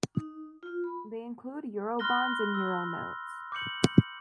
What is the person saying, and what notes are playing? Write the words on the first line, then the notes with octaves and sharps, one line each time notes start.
They include eurobonds and euronotes.
D#4
F4
B5
B5 C6 F6 F#6 A#6 G7
E6
D6 G6 C#7 F#7